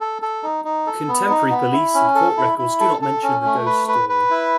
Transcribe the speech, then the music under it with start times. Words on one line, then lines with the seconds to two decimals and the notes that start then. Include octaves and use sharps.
Contemporary police and court records do not mention the ghost story.
0.01 A4
0.22 A4
0.43 D#4
0.65 D#4
0.87 A4
1.08 B3
1.30 D#4
1.51 B3
1.73 E4
1.94 C#4
2.15 A4
2.37 E4
2.58 E4
2.80 A4
3.02 A4
3.23 C#4
3.45 A3
3.66 B4
3.88 B4
4.09 B4
4.30 E4